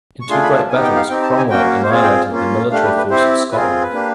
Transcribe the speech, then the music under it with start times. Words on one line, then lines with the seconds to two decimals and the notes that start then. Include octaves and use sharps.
In two great battles Cromwell annihilated the military force of Scotland.
0.21 C#6
0.29 A3 D4 F4 G#4 C6
0.43 B5
0.57 A5
0.69 B3 G#5
0.72 D#4 G4
0.83 G5
0.96 F5
1.09 C4 D#4 G4 G5
1.23 A5
1.37 G#5
1.49 A#3 C#4 F#4 G5
1.83 C5
1.90 C4 F4 G#4 C#5
2.03 G5
2.30 A#3 C#4 F4
2.71 A3 D4 G4 F5
2.84 B4
2.98 B4
3.11 C4 E4 G4 C5
3.51 C4 F4 G#4 B4
3.61 A#4
3.81 B4
3.92 A#3 D4 G4